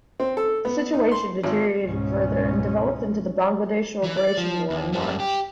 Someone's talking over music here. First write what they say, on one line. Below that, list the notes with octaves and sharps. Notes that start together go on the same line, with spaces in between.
The situation deteriorated further and developed into the Bangladesh Liberation War in March.
C4
A4
B3
D#4
C6
G#1
C#2 G#2 B2 E3 G#3 C#4
E3
D5
F3
D#2
F#2 G3
G4